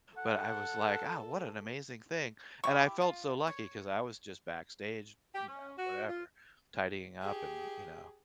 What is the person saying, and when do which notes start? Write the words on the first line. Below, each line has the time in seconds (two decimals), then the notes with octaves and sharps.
but I was like, "Ah, what an amazing thing," and I felt so lucky 'cause I was just backstage, you know, whatever, tidying up and, you know,
0.17 A4 F#5
2.64 E4 G4 C#6
3.02 F4
3.47 C#5
5.35 G4
5.48 C#4
5.77 F#4
6.09 F4
7.21 G4 G#4